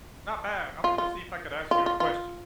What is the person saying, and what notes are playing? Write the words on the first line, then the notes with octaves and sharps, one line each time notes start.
Not bad. I was gonna see if I could ask you a question.
F4
F4
F4
F4
F4